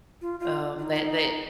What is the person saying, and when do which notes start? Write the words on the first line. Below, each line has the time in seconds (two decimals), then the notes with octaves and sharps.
um, that that
0.21 F4
0.40 F4
0.78 F4
0.82 D#4